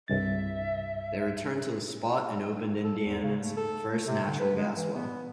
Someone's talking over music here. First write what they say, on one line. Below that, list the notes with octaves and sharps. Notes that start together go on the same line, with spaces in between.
They returned to the spot and opened Indiana's first natural gas well.
C2 G2 E5 A6
A4
E2
C#3
A3
A4
A3
C3
D3
B4
G#3
E3
B3